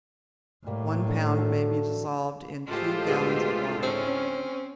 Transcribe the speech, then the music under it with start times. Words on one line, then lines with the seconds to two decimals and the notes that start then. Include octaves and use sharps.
One pound may be dissolved in two gallons of water.
0.67 A2 G3 A#3
1.08 D3
1.37 F#4 A4
2.67 A2 G#3 F4 G4 A4 C5
3.07 D2 G2 B2 G#4
3.83 C4 C#4